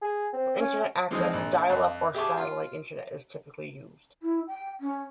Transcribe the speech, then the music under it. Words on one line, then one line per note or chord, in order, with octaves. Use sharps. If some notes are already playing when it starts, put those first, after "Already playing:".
For Internet access, dial-up or satellite Internet is typically used.
G#4
C4
C#4
E3 F3 G#3 C4 D#4
A#1
F2
G4 G#4 E5 A5 C#6 D6
F4
E4
G5
C#4